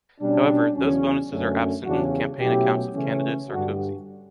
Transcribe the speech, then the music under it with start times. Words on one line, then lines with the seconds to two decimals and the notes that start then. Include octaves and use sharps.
However, those bonuses are absent in the Campaign Accounts of candidate Sarkozy.
0.21 B2 G3 C#4 D4
0.75 E2 C#3 F#3 C#4
1.31 F#2 D3 A3 C#4
1.85 E2 C#3 G3 C#4 D4 F#4
2.40 B2 F#3 A3 C#4 E4 G4
2.95 C#3 E3 A3 C#4
3.50 G2 D3 G3 D4 F#4